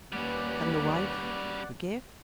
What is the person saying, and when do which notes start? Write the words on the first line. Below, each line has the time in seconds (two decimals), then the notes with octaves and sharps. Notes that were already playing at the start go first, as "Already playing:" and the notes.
Can the wife--Forgive?
0.12 D#2 G3 A#3 C#4 B4 D5 F#5